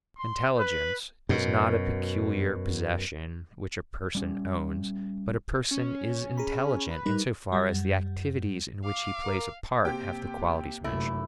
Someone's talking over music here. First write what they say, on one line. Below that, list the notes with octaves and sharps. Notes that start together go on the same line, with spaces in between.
Intelligence is not a peculiar possession which a person owns; but a person is intelligent in so far as the activities in which he plays a part have the qualities mentioned.
C6
B4
F#2 B2
G3 C#4
C#4
G#4 A#5 B5
B4
G3 D#4 A#4
F#2 G3
F5 D6
A#4
C3 A#3 G4 G5
F1 F#2 E3 A3 E4